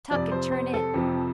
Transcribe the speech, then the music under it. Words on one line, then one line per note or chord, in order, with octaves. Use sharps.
Tuck and turn in.
F2 C3 F3 D5
C5
C5
A4
F2 C3 F3 G4